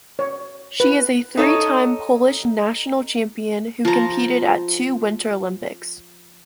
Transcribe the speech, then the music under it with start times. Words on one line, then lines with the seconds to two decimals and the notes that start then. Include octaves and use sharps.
She is a three-time Polish national champion who competed at two Winter Olympics.
0.19 C#5
0.80 B4
1.37 D#4 A4 C#5 D#5
3.85 F3 A#5